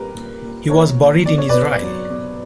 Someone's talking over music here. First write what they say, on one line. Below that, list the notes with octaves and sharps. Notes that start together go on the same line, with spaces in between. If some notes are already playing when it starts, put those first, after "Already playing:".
He was buried in Israel.
Already playing: A#2 G3 G4 A#4 B4
A#2
A#2
A#2 A#4 C#5
A#2
B2 D5
C#5
B2 B4 D5
F#3
B2